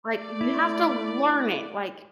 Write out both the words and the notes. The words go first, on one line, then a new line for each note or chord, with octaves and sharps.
Like, you have to learn it, like,
A3 D5
E4